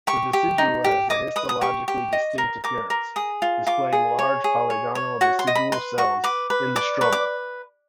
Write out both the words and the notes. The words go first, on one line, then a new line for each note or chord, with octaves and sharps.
The decidua has a histologically-distinct appearance, displaying large polygonal decidual cells in the stroma.
G4 C#6
G4
D#4
G4
D#5 D6
B4 D#6
D#6
G4 C#6
G4
D#5
A#4
A#4 D6
A#4
G#4 D#6
F4
F4 D6
G#4
C#5
G#4
C#5
C#5
F#4 C#6
C6
D#5
B5
B4 C6
F#4 C#6
B4 D6
B4
D5 D6
B4 C#6
D6